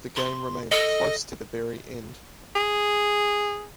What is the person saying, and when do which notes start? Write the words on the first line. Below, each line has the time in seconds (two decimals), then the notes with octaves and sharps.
The game remained close to the very end.
0.16 C6
0.72 A4 D#5
2.56 G#4